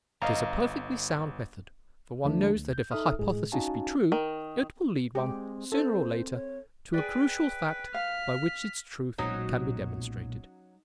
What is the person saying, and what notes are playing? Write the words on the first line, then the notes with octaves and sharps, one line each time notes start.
It is a perfectly sound method, for one knows that if a hypothesis be true, it will lead one, sooner or later, to a crucial fact by which its truth can be demonstrated.
G1 D#5 F5 A#5
D#2 D3 F3 A3 D4
D2
G6
D#4 A4 E5 D#6 F6
A2 G#3 G#4
C#4 D#4 F#4 F5 G#5 A5
D#3
G#3 C4 G4
A4 C5
C#5
G#4 B4 D5 G5
F5 F6 B6
B1 A#2 F#3 G#3 C#4 D#4